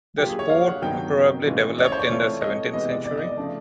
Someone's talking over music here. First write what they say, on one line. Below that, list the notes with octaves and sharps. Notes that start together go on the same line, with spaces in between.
The sport probably developed in the seventeenth century.
D3 F#3 A#3 D4 F4 G4
G#4
C#5
F5
F#5
G2 D#3 F#3 B3 D#4 G5
E3 G#3 C#4 F4
D5
C#5
C5
C#5
E3 A3 C4 F4
D#5
C3 E3 G#3 B3 D#5
D5
D5
D#5
D5
C#3 F3 A3 D4